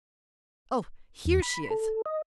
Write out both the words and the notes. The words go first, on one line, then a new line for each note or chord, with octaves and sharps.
Oh! here she is!
E2
B5
A4
D#5